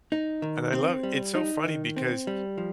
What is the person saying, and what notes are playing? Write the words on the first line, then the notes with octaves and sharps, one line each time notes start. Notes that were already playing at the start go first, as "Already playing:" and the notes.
And I love it's so funny because
D#4
D#3
C4
G3
D#4
D#3
C4
G3
F3